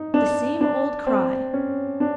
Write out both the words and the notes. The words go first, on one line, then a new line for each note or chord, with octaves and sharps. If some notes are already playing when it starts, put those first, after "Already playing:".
The same old cry.
Already playing: D#4
D4
D4
C4
C#4
D4